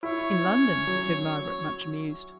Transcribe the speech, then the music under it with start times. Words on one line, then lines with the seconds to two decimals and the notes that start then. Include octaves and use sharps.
'In London,' said Margaret, much amused.
0.03 E4 C#5
0.45 C#4
0.87 F#3